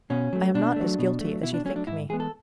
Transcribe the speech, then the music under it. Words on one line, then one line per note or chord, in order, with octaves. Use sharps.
I am not as guilty as you think me.
B2 C#4
F#3 A3
B2 D4
F#3 A3
B2
F#3 A3
B2 E4
D4
F#3 A3 C#4
D4
G#2 E4
E3 G#3 B3 G#4
A4